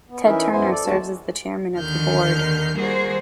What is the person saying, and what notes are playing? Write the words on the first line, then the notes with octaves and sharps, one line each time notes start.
Ted Turner serves as the chairman of the board.
B3
E3 C#4 D#4 E4 A#4 E5
F#2 B3 E4 C5 G#5
A4 D5
D#2 G#3 F#4 A5
D#2 D3 D#3 F6 G6
G3 A#3 F#4 G#4 C5